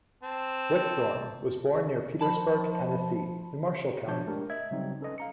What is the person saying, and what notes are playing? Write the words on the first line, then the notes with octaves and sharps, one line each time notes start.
Whitthorne was born near Petersburg, Tennessee in Marshall County.
C4 A5
F3 A5 B5
B2 F3 D4 C#5 A5 G6
G#3 A3 D4 G4 A#4
D#5 E5 G#6
C#3 F#3 G3 C4 D#4
C#4 A4 B4 D#5
F5 A#5 C#7